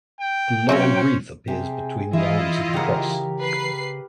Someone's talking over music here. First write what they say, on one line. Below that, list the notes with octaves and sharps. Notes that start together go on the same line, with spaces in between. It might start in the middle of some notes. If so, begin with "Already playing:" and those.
A laurel wreath appears between the arms of the cross.
G5
F#3 A#3 C4 C#4 C5 E5 G5
C3 G#4 G5
E3 E4 F4 D#5 E5
C#3 G4 A#4 F#5
B4 C7